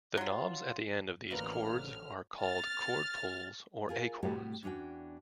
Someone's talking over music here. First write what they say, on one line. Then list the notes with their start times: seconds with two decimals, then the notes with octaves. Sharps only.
The knobs at the end of these cords are called cord pulls or "acorns".
0.17 F#3 F4
1.31 A1 D3 F3 F#3 A#3 B4 F6 F#7
2.40 F6 A6
3.89 F4 G#4 A#4
4.23 A2 C3 G3 A3 F#4 G4
4.63 E2 C#4 D4 F#4 G5